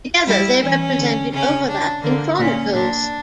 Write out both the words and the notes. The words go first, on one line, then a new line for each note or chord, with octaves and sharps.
Together they represented overlapping chronicles.
G3 E4
E3 C#4
D3
C#3 C#4
D4
D3 A#3
A#2 C#4
A#2 D4